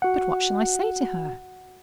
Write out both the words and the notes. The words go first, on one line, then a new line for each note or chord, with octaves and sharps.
"But what shall I say to her?"
F#4 F#5